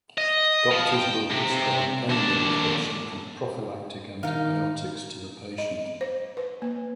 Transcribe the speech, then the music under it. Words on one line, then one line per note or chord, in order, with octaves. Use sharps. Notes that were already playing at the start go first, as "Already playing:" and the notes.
Doctors will prescribe pain medication and prophylactic antibiotics to the patient.
D#5
F3
G5
C3
D#2 D4
D#3 D#4 F5
D#5
C5
B4
A#3